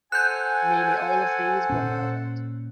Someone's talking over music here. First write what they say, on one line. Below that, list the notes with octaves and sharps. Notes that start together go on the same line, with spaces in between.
Nearly all of these were murdered.
A4 C5 F#5 G#5 F#6 G6
A#2 C#4